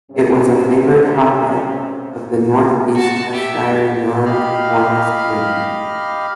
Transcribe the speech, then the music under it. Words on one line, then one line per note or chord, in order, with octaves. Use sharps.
It was a favoured hotbed of the northeast Cheshire Non-conformist movement.
G2 C3 C#4
F#4 A5
G4 E5
G4 D#5 F5 B5 F6